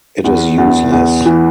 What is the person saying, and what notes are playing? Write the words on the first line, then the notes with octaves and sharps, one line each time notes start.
It is useless.
E2
E2
E2
E3